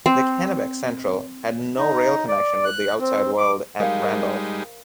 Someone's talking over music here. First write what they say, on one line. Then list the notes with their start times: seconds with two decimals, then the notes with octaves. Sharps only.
The Kennebec Central had no rail connection with the outside world at Randolph.
0.06 C4
1.78 D#4
2.28 D5
2.65 F#6
3.00 C4
3.38 D6
3.80 G3 G#3 D#4 A#4 F5 G5
4.00 A#4 C5 A#5